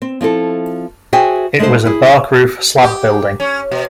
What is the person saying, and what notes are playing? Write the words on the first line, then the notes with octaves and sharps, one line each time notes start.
It was a bark-roof slab building.
C4
F3 C4 E4 A4
F#4 G#4 C5 E5 G5 G#5
G#3 A3 D#4 A4 C5
E4 G#4
G4
C#4
B2